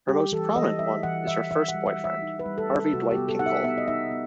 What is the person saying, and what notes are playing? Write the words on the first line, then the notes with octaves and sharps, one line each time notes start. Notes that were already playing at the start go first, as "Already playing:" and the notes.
Her most prominent one is her first boyfriend, Harvey Dwight Kinkle.
G3 G4
E3 A4
E3 D#5
G3 E5
E3 F#5
E3 E5
E3 E5
F#5
G3
E5
G3
E5
D#4
B4
G3
A4
G3
A4
C3 F#4
G4
B3
A4
D#4 F#5
E5
B3 E5
D#5
D#4 E5
B3